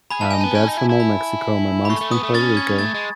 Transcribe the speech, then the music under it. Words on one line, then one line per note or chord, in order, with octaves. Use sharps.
um, dad's from Old Mexico, my mom's from Puerto Rico,
G#4 B5
E4 A5
D#4 G#5
A5
B3
C#4 G#5
D#4
E4
E4
B5
B5
A3 C#6
A3
B3 D#6
A3
C#4 A6
G#6
A3 A6
G#3